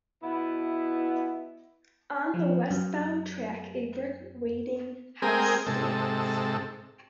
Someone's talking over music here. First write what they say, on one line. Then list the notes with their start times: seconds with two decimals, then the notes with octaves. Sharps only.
On the westbound track a brick waiting house stands.
0.23 B2 B3 E4
2.34 F3
2.70 F#2
5.22 G#3 C4 G#4 A#4 G5
5.66 G#2 C3 A4